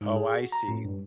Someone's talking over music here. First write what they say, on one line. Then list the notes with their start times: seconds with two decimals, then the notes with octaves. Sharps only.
Oh, I see.
0.01 G#2
0.16 G#4
0.35 F#4
0.52 A#5
0.68 A2
0.85 G2